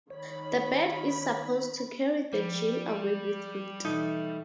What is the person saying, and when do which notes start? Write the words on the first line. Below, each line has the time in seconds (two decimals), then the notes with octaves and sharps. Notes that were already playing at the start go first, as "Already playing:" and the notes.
The bird is supposed to carry the jinn away with it.
0.10 D#3 C#5 B5
2.33 F3 G3
3.85 B2 E3 A3 D#4 D#6